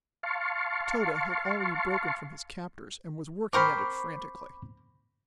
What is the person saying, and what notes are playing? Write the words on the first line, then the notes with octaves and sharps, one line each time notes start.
Tode had already broken from his captors and was working at it frantically.
F5 A5 C6 C#6
C4 A#4 C5 B5 C#6 D6